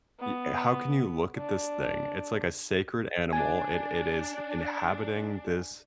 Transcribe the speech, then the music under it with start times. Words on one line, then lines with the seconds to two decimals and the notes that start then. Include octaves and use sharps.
eh, how can you look at this thing? It's like a sacred animal, it it is inhabiting this
0.20 B3
1.38 D4
3.33 D4 G#5